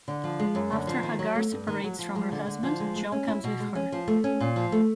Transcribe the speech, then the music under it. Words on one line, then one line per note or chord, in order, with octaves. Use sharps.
After Hagar separates from her husband, John comes with her.
D3
F3
G#3
F#2
D3
F3
D#3
F#3
A3
G2
D#3
F#3
F3
G#3
D3
D3
F3
G#3
G#3
C#4
E4
B2
G#3
C#4
F3
A3
C#4
A#2
F3
A3